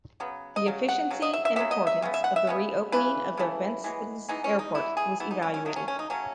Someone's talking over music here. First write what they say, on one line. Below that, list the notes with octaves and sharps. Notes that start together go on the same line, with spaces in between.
The efficiency and importance of the re-opening of the Ventspils Airport was evaluated.
C#3 F#3 B3
D#5
C#3 F#3
F#5
C#3 F#3
D#5
E5
E5
C#3 F#3 B3 E5
D#5
E5
C#3 G#3 B3
E5
F#5
E5
C#3 G#3 B3
C#3 E3 A3 B4
C#3 E3 A3
E3 G#3 B3
E3 G#3 B3 D#4
C#4
D#4
E3 B3 E4
G#4
E3 B3 E4
D#4
C#4
C#4
C#3 F#3 A3 D#4
C#4
C#4
D#4
C#3 F#3 A3 C#4